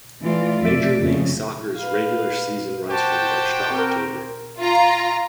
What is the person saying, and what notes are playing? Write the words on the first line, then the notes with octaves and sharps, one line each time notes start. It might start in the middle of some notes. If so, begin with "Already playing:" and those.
Major League Soccer's regular season runs from March to October.
E3 A3 F4 D5
F2 F3 A3 D5 E5
F2 C#3
B4 F5
F#4 G4 C5 G5 A5
C4 A#4
F4 A#5